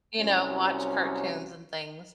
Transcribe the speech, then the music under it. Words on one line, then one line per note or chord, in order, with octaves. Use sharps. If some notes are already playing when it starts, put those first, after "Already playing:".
you know, watch cartoons and things,
C2 F#3 C#4